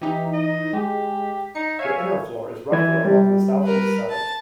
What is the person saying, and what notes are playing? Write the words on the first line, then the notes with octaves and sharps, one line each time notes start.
The inner floor is rougher along the southeast side.
E3 D#4 G4
D#5
G#3 G4
D#4 C#7
C#5 E5 F5 G#5
E3 G#6
G3
A#4 B4
A5